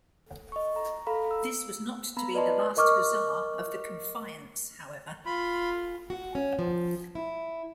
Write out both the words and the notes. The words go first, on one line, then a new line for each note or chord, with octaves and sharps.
This was not to be the last "huzzah" of the "Confiance", however.
D#5 C#6
A#5
A4 F5 A#5 B5
E6
B3 A#5 B5
B4 D5 D#5 A5 C6
A#4 D#5 C#6 D6 F6
F4 B5
F#4
C#4
F3
E4